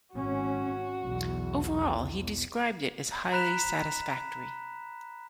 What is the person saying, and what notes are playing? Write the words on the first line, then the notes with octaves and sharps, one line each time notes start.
Overall he described it as 'highly satisfactory'.
G#1 C#4 F#4
B1 E2
A#5 B5 F#6 B6 E7 F7